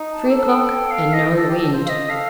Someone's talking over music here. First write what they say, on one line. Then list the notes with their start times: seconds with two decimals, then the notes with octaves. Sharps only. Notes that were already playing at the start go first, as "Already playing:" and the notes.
Three o'clock and no wind.
Already playing: D#4
0.12 A5
0.24 G4
0.29 A4 A5
0.48 G5
0.65 G5
0.90 F5
1.12 D#5
1.36 A4 D5
1.48 G4
1.59 A4
1.73 C5
1.84 F5
1.88 D#5
2.08 A4 F5